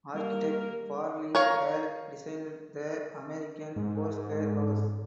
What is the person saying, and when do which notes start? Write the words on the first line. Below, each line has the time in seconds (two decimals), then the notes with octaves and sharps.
Architect Perley Hale designed the American Foursquare house.
0.15 G3 A#3 A#4
1.35 A#4 C#5 F5
3.76 G#2